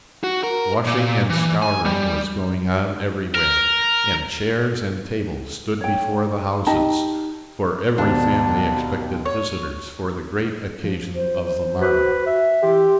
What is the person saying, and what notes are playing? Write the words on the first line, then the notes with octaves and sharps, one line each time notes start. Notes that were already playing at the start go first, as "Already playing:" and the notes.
Washing and scouring was going on everywhere, and chairs and tables stood before the houses,--for every family expected visitors for the great occasion of the morrow.
F#4
A#4
A#2
E3
G#5
G3
A#4
C#5 G5
D#4 G4 D#5 A5
D#2 B2 D4 C5
C#5
F3
C5
C5
F#4 B4
E5
E3 G4 C6